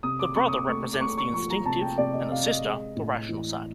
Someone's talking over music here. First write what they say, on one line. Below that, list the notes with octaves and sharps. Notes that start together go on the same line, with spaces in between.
The brother represents the instinctive and the sister the rational side.
C3 D#6
D6
C3 C#6
D#6
D6
A3 C#6
D6
A3 C#6
C#6
F3 C#6
A#5
C3 A5
G5
C3 D5
D#5
C3 F5
D#5
G#3
A2
E3